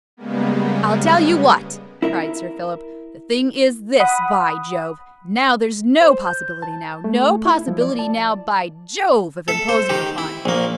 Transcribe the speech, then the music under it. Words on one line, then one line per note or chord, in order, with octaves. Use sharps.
"I'll tell you what," cried Sir Philip, "the thing is this: by Jove! now, there's no possibility now--no possibility now, by Jove! of imposing upon me."
C#3 G3 G#3 A#3 B3
E4 A#4 E5
F#5 B5 D#6
C5
G6
A5
A3
A3
E4
F3
D5
A5
A4 E5
C5
D#3 G4
E4
A#1 A#3